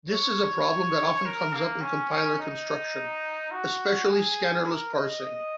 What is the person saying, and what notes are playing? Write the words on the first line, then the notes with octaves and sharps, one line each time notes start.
This is a problem that often comes up in compiler construction, especially scannerless parsing.
C#5
A#4
A#3
C#4
C#4
D#4
F#4
G#4
A#4
D#5
D#5